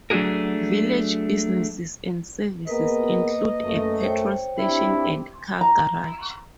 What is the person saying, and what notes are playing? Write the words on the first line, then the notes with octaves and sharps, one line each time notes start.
Village businesses and services include a petrol station and car garage.
F#3 A3 D4 F#4 G#4 A#4
A#3 B3 G#4 A#4 B4 D#5
F#2 A3
C5 C#5 G5
C4 D4 E4 G4
A#5